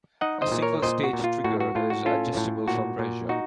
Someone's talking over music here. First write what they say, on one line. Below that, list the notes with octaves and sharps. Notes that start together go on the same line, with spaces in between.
The single stage trigger is adjustable for pressure.
D#4 D#5 F#5
C5 D#5
A#2
A#4 C#5
A#2 C5 D#5
F#4
A#2
F4
A2 F#4
F#4
A2 F4
F#4
C#4 F4 A4
A2
A#2 F#4
A#2
D#4 F#4